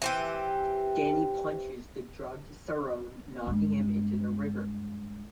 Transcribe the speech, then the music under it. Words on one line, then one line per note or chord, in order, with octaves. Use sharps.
Danny punches the drugged Sarone, knocking him into the river.
E3 C4 G4
G2 G#3